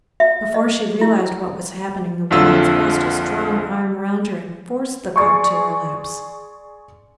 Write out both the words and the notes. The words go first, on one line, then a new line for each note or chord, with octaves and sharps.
Before she realised what was happening the woman thrust a strong arm round her and forced the cup to her lips.
E5
D#5
E4
A#1 F2 D3 F4 E6
G#4 D5 C6 C#6